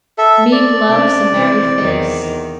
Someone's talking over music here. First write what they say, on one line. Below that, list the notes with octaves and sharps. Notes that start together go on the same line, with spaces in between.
"Mead loves a merry face."
A4 E5
D5
C3 C#4 D4
C3 E3 C4
E2 D#3